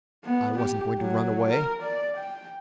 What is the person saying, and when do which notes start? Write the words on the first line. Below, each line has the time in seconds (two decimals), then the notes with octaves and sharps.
I wasn't going to run away.
0.25 B3
0.58 G4
0.99 F#3
1.50 A#4
1.82 D5
2.17 G5